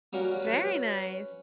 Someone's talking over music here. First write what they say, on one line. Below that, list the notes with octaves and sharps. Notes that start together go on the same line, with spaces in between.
Very nice.
G3 A#3 C#4 F#4
C#4 B4